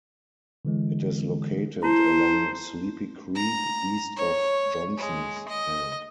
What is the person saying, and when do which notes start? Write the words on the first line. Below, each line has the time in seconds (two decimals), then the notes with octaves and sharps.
It is located along Sleepy Creek east of Johnsons Mill.
0.65 D3 E3 G#3
1.83 E4 C5 A5 A#5
3.35 A#5
4.16 C#5
4.97 G#3
5.48 D#5